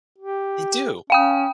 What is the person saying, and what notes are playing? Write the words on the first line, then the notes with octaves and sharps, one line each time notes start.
They do.
G4
C#4 F5 G5 D#6